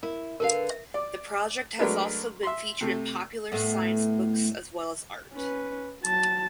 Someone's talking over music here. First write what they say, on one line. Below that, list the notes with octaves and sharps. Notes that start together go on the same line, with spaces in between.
The project has also been featured in popular science books as well as art.
E4 A#4
D3 A#4 B4 F5
E5
D5
F#3 G#3 A3 D4 A#4 B4
E5 C6
C3 A3
A2 A3 B3
C#4 B4
F#3 A5